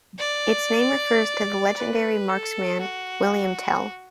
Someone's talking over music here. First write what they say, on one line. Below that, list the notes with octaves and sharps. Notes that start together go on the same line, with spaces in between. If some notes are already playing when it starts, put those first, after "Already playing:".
Its name refers to legendary marksman William Tell.
D5
B4
A4
F#4